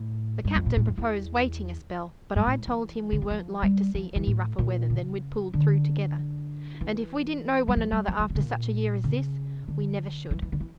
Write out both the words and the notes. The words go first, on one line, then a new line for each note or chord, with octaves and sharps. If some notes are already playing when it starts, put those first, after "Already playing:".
'The captain proposed waiting a spell; but I told him we weren't like to see any rougher weather than we'd pulled through together, and if we didn't know one another after such a year as this, we never should.
Already playing: A2
G2
F2
A#2
A2
F2
E2
G2
A2
E3
D3
E3
F3
G3
F3
E3
A2
A#2
C#3
D3
E3
G3
F3
G3
F3
F3
D3
C#3
A#2
C#3
D3
E3
E3
D3
E3